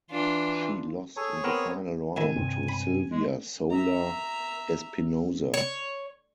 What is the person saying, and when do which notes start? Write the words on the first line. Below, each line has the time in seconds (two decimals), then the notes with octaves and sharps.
She lost in the final round to Silvia Soler Espinosa.
0.11 E3 D4 F4
1.16 G#4 A4 C#5
1.44 B3 C4 A#4
2.16 A2 D#3 E4 G#5
2.36 G2 C3 C4
2.69 B5
3.11 G#3
3.70 E5 A#5
5.54 C#5